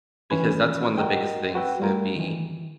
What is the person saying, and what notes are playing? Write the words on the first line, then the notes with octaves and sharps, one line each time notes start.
Because that's one of the biggest things to be
D#3 E3 C#4 B4 B5 G#6
F#4 A#4 D#5 G5
F#4 B4 G5 E6
G3 A3 F4 A#4
D#3 E3